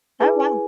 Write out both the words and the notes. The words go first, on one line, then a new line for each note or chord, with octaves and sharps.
Oh, wow.
E4 G#4 B4 G#5
G#5